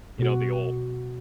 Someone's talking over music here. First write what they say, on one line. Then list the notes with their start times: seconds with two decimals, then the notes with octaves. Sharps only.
you know, the ol'
0.19 B2 F#4